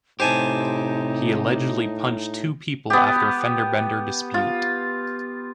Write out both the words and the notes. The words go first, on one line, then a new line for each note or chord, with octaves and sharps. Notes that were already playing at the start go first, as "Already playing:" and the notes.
He allegedly punched two people after a fender bender dispute.
A2 C3 D#4 G4 C5 G#5 A5
B3 G4
F4